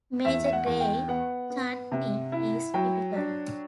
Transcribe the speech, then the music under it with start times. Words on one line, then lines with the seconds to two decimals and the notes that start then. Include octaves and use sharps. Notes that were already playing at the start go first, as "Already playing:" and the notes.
Major Grey's Chutney is typical.
0.25 E2 E5
0.46 E5
0.53 F#5
0.66 E2
0.80 G5
1.08 B3 F#5
1.50 B3
1.92 C3
2.32 E4
2.74 F#3 G5
3.16 D4